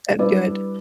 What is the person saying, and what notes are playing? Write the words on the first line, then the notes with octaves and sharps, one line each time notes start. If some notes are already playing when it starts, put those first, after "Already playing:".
That good.
G3 D4 E4 B4 D5